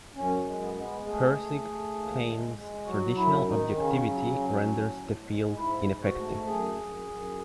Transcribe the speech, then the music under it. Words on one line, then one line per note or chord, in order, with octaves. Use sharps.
Pirsig claims traditional objectivity renders the field ineffective.
F#2 C#4
G#3
B3
G#3 B3
A3 G#4
A3
A3
D#2
G#3
G#3
F#3 F#4
F#2 E4
D#3 D#4
C#3 C#4
F#3
F#3
A2
A2
G#3
G#2 E4
G#2
F#4
A3
F#2 G#4
F#2
F#2